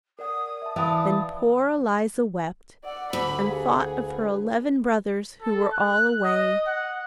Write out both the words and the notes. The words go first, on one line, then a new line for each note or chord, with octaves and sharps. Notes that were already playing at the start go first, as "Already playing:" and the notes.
Then poor Eliza wept, and thought of her eleven brothers who were all away.
A#4 D5 F#5 D#6
E5 A5
E3 D5 E5 F5 G5 A5 B5
D5 F#5 D6 E6
D2 B5
G4 G#4 F5 F#5
B4
A4
F#6
D#5
F#5